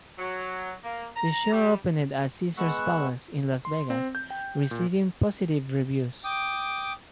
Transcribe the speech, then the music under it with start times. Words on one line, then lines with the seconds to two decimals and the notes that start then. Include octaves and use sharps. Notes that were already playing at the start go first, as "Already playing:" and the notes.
The show opened at Caesars Palace in Las Vegas, receiving positive reviews.
0.18 F#3
0.84 A#3
1.16 A#5
1.51 G3
2.57 G#3 B3 F#5 C#6 E6 F#6
3.65 C6
3.90 C4
4.15 G6
4.30 G5
4.71 A#2
6.24 G5 D6 D#6